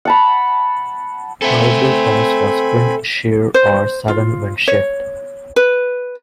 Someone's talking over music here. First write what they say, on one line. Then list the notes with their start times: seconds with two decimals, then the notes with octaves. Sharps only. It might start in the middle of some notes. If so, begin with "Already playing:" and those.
Probable cause was wind shear or sudden windshift.
0.05 F#5 A5 B5
1.42 C4 A4 E5 F#5 G#5 B5
3.54 C5
4.08 F4
4.68 C#5
5.56 B4